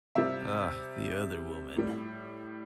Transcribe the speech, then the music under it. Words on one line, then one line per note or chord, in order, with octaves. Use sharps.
Ah, the other woman!
C3 G3 E5
A2 G3